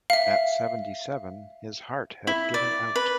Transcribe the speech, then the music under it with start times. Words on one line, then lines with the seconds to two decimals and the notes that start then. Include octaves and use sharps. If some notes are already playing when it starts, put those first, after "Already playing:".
At seventy-seven, his heart had given out.
0.10 E5 F5
2.27 E4
2.54 D5
2.96 B4